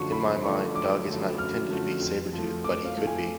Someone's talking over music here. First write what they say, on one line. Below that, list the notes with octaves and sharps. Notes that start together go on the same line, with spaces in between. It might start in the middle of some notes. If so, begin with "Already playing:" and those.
In my mind, Dog is not intended to be Sabretooth, but he could be.
Already playing: F#2 D3 F3 A3 C#6
F#2 B5
D3 F3 A3 C#6
F#2 D6
D3 F3 A3
F#2 F6
D3 F3 A3
F2
F3 A3
F2 D6
F5
F3 A3
G#5